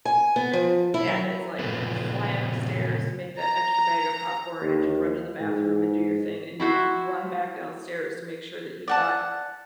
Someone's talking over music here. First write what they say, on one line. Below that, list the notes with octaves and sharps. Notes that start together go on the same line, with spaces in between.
and it's, like, you fly up the stairs to make that extra bag of popcorn and to run to the bathroom and do your thing and you run back downstairs to make sure that you got
G#5
B3
F3
E4
F#3
A#2 C#3 F3 A3 B3
A#5
D#2
G#2
E4 F#4 C5 E5
D5 F#5 A5